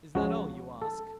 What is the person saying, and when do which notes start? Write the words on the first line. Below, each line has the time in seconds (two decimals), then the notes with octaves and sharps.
"Is that all you ask?"
0.15 C#2 C#3 F3 F#4
0.82 A4